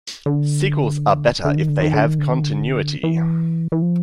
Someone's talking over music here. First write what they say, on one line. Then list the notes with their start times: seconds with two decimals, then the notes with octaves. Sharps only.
Sequels are better if they have continuity.
0.26 D3
1.45 D3
1.56 D#3
1.69 D3
1.81 D#3
1.94 D3
2.06 D#3
2.18 D3
2.31 D#3
2.42 D3
3.03 E3
3.72 E3
3.82 F3